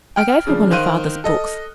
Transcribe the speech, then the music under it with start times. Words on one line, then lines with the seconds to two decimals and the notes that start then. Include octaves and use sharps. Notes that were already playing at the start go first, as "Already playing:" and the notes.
I gave her one of father's books.
0.16 G5 F6 D7
0.47 C#3 F3 D4
0.71 D#3 C5 F5 F#6 D#7
1.24 A4 D#5